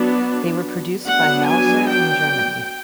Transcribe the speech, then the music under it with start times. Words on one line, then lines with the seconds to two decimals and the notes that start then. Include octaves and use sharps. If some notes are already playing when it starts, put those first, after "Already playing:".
They were produced by Mauser in Germany.
Already playing: F#3 B3 D4
1.03 F#3 B3 D4 F#5
1.47 G#5
1.89 G5